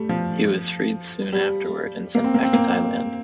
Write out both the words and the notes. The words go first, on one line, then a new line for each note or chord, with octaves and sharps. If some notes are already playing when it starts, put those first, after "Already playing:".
He was freed soon afterward and sent back to Thailand.
Already playing: G3 A3
F3
G3
A#3
C4
A#3
C4
A#3